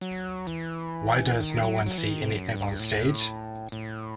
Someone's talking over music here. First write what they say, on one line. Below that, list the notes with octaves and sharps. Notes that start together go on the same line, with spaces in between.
Why does no one see anything on stage?
F#3
E3
D#3
F#3
F#3
E3
D#3
C3
F#2
G2
A2
A2